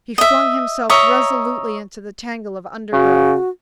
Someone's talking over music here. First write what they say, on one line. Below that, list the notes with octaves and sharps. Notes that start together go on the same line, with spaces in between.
He flung himself resolutely into the tangle of undergrowth.
D#5 E5
C#5 D#5 E5 A#5
C#3 F#4